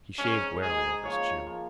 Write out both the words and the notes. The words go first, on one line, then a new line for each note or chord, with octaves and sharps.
He shaved warily over his chin.
G#2 G#3 C#4 D#4
G#2 G#3 D#4 G#4
C#3 F3 A#3 F4 C#5
C#3 F3 A#3 F4